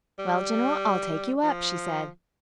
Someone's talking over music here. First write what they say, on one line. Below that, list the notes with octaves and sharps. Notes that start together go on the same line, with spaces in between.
"Well, general, I'll take you up," she said.
G3
F3